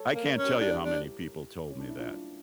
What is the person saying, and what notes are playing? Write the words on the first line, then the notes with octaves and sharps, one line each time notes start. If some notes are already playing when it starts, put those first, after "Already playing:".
I can't tell you how many people told me that.
Already playing: A4 C#5
A#3
A#4
C#4 C#5
G4 A#4
D4 E4 G4
D4
C#4
D4
E4
D4 F4